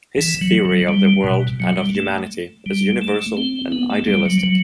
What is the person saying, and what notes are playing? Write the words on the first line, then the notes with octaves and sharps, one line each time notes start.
His theory of the world and of humanity is universal and idealistic.
E3
F#3
F#3
G3
B2
F#3
G3
A3
G3
A3
C4
B3
A3
G3
F#3
F#3